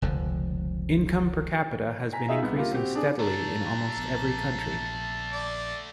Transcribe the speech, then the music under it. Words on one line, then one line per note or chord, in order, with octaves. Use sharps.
Income per capita has been increasing steadily in almost every country.
F1 C#2 D3 F3
G#5 A#5 B6
D#4 F4 G#4 D#5 E5
C2 B3
A#3 F4 G4 A#4
C4 F#4 G4
D4 G#4
A3 D4 A5 A#5
A#1 B3
D5